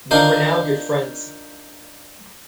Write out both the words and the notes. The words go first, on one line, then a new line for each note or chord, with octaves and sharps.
We were now good friends.
D4 D#4 F4 A#4 C5 D#5